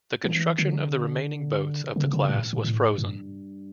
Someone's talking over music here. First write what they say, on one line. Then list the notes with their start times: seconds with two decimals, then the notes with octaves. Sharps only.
The construction of the remaining boats of the class was frozen.
0.24 E3
0.58 D3
1.96 C#3
2.13 C#3
2.29 A2
2.53 A2
2.64 A2
2.98 G2